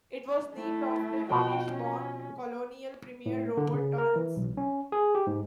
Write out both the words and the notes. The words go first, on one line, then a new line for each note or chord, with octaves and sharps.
It was named after Irish-born colonial premier Robert Torrens.
A3 E4
B2 F3 F#4 G5
C#4
A2
D3
C#3
A#4
E3
B1
C#4
G#4
G4
G#2